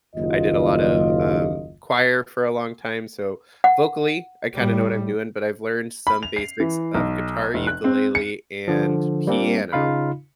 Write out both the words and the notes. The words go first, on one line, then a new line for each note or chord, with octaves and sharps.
I did a lot of, um, choir for a long time, so, vocally, I kinda know what I'm doing, but I've learned some basics of guitar, ukulele, and piano.
F#1 D#2 F4 D#5
F#5
A2 G3
B5
F7
C7
E3
B1
F1
F#6
C4
C#7
D3 F3
G3 A#3 C4 D4
C#3 D#4 F4 F5 B5